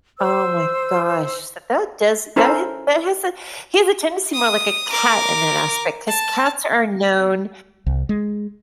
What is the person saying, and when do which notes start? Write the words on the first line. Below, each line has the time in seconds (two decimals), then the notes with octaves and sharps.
Oh my gosh, so that does that ha that has a he has a tendency more like a cat in that aspect 'cause cats are known
0.18 C5 E6
2.36 C#4 E4 A4 A#4 C5
4.34 D#6
4.90 A#4 D6
6.08 A5
7.86 C2
8.09 G#3